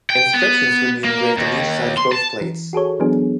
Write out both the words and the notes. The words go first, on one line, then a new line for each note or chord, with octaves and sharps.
Inscriptions would be engraved on each side of both plates.
G5
B3
A#3
D#2
C6
A5
E3
F#4 G#4 A4 C#5
E3 F#3 B3 D4 G#4